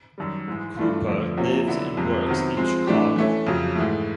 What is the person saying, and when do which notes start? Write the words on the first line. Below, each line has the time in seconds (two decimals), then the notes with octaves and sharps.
Cooper lives and works in Chicago.
0.18 F#2 D#3 G3
0.48 G#2 E3 G#3
0.77 G2 E3 A3 D4 F4
1.07 F2 D3 F3 A3
1.37 C3 F3 A#3 C#4 F#4
1.67 D3 F#3 B3 E4
1.97 F2 C3 F3 G#3
2.26 C3 D#3 F#3 B3
2.57 F3 G#3 C4
2.87 A2 E3 A3 D4 G4
3.16 E3 A3 C#4
3.47 F2 C#3 F#3
3.75 G#2 E3 A3